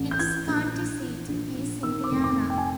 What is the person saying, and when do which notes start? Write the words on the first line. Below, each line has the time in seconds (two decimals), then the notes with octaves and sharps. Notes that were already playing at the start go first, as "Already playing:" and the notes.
Its county seat is Cynthiana.
Already playing: A1
0.11 G6
0.19 E3 G#6
0.47 A#1
0.74 A#1
1.02 E3
1.28 A#1
1.57 A#1
1.83 D#3 E6
2.04 D6
2.11 F1
2.24 D6
2.38 F1
2.50 G5
2.58 G#5